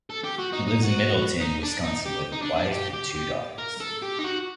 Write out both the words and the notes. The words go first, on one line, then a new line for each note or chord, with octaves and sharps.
He lives in Middleton, Wisconsin, with his wife and two daughters.
A4
G4
F#4
D#4
D#4
F#4
D#4
D4
D#4
G4
D#4
D4
D4
G4
G4
G4
A#4
A4
G4
D#4
F#4